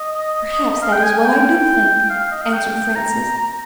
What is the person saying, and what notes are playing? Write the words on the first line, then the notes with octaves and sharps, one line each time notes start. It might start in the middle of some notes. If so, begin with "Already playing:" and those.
"Perhaps that is what I do think," answered Frances.
Already playing: D#5
F5
G5
G#5
G#5
G5
F5
F5
D#5
F5
G5
A#5
A#5